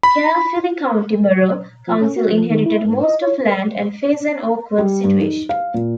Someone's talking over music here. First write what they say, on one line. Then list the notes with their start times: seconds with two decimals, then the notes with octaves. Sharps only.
Caerphilly County Borough Council inherited most of land and face an awkward situation.
0.03 B5
1.87 F3
2.01 C#4
2.16 F#4
2.32 F3
2.50 D#3
2.66 E4
2.85 G#2
3.04 D#5
3.22 C#5
4.78 G3
5.04 G2
5.20 D#4
5.49 F5
5.74 A#2